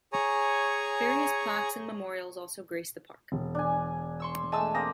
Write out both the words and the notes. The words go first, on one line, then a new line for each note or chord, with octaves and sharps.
Various plaques and memorials also grace the park.
G#4 C#5 G#5 A#5 C#6
E1
D4 G#5
C6 C#6 E6
G#3 A3 G#5 A5 E6
A#3 C4 D#6 A#6